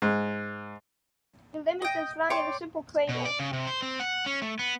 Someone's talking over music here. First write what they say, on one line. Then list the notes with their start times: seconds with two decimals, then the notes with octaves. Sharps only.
The limb is then slung in a simple cradle.
0.02 G#2
1.82 D#5 G5
2.30 C#5 D5 G5 C6
3.09 B2
3.25 D5
3.39 C#3
3.53 C3
3.67 C5
3.82 C4
4.00 F#5
4.26 C#4
4.42 A3
4.59 B3